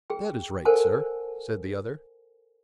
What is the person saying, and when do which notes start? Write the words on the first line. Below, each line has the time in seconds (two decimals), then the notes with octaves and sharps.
"That is right, sir," said the other.
0.10 G#4 G5
0.65 A4 A#4 C5 F#5 G#5 A5